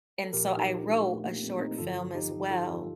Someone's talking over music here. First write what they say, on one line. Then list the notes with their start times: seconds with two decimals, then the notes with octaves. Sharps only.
And so I wrote a short film as well,
0.24 A4
0.33 A#2 F3 G4 A#4
0.57 D#4 G4
0.81 D4 F4
1.06 A3
1.24 A#3
1.42 A3 C4
1.60 C4 D#4
1.78 G2 D3 F3 F4 A4
2.14 D#4 G4
2.50 F4 A4